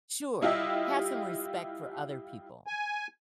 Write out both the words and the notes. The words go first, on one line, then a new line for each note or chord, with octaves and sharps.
Sure, have some respect for other people.
G3 E4 F4 G4 D#5 E5
G#5